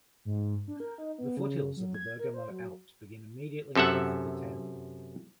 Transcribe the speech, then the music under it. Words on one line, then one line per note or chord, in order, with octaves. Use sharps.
The foothills of the Bergamo Alps begin immediately north of the town.
G#2
D4
A#4
D#4
B3
C#3
F#3
G#6
A#4
C5
F#3
F#2 C3 A4 E5 F#5